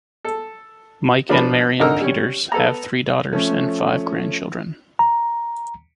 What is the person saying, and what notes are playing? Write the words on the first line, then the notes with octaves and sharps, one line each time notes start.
Mike and Marian Peters have three daughters and five grandchildren.
A4
F3 D4 A#4 B4 B5
G#1 D3 D#4 A#4 E6
G3 C#4
B3 A4 A#5
F3 A3 C#4
A#5